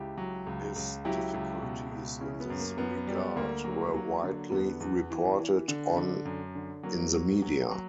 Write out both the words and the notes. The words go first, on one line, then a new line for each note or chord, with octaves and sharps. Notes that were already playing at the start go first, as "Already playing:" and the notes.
His difficulties in this regard were widely reported on in the media.
Already playing: C#2 E4 G4
F#3
C#2
C#2
F#3 E4 G4
C#2
B2
C#2
C#3 C#4 E4
B3
F#2
A#3
F#2 B3
B3
G3
B3
D2 A#3
F#3
F#3
D3
E2 B3
E2
E3
E3
D3
D3
F#2
D3
F#3 A#3
F#3
F#3
F#3